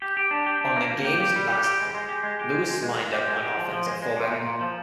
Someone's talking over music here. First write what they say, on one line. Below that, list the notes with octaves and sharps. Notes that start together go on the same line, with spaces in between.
On the game's last play, Lewis lined up on offense at fullback.
G4
G4
D4
G4
D4
A#3
A#3
G4
G4
G3
G4
G4
G#3
G#3
G4
G#3
G4
G#3
G#3
G#3
G#3
G4
G#3
G4
F3
F3
G#3
G#3
A#2
A#2
A#2
F3